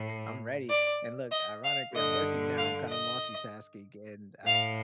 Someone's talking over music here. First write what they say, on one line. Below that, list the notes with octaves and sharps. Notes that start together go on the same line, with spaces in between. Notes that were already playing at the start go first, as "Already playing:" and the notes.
"I'm ready." And look, ironically, I'm working now. I'm kinda multitasking and, uh,
Already playing: A2
D5
D#5
F5
G2 D3 D#5
F5
D#5
A2 F5